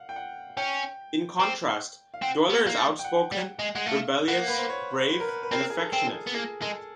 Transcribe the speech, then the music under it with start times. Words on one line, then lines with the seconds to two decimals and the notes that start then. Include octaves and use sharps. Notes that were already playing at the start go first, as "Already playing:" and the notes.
In contrast, Doyler is outspoken, rebellious, brave, and affectionate.
Already playing: F5 F#5
0.09 G5
0.16 F#5
0.57 C#4 G5
1.40 C4
2.14 F5
2.22 C4 F#5
2.50 B3
2.67 A#3
2.77 A3
2.99 G5
3.04 F#5
3.32 G3
3.59 G#3
3.75 G#3 F#5
3.86 A3 F5
4.28 A#3 F#5
4.48 B4
4.58 C5
4.70 C#5
5.10 B4
5.20 A#4
5.28 B4
5.43 B4
5.52 C4 A#4
5.70 G#4
5.80 A4
5.93 C4
6.07 G#4
6.27 B3
6.34 A#3 G#4
6.61 G#3 A4